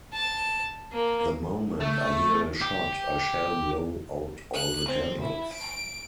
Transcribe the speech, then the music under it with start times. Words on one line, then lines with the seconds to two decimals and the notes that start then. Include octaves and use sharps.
The moment I hear a shot, I shall blow out all the candles.
0.13 A5
0.92 A#3
1.80 A3
2.61 G4
4.54 F#6
4.89 C4
5.21 E4
5.52 D7